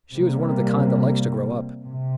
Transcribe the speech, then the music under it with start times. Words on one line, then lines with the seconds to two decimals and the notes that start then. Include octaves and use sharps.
She was one of the kind that likes to grow up.
0.14 C3 G3 A#3
1.86 C3